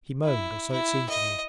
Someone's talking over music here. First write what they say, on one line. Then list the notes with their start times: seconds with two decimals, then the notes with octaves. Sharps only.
He moaned, or so it seemed to me.
0.24 E4
0.72 E4
1.10 D#5